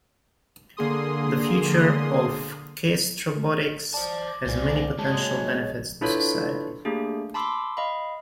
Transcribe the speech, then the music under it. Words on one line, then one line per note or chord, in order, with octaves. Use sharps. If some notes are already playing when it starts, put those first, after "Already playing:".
The future of gastrobotics has many potential benefits to society.
D3 A#3 G#4 C6 D#6
C5 D5 A5
C2 C5 F5 G#5
F#3 G#3 A#3 C#5 A5
D4 E4 F4 A4 B4 C#5
A3 A#3 D4 G4 G#4
A5 B5 C6 D6 E6
D#5 F5 B5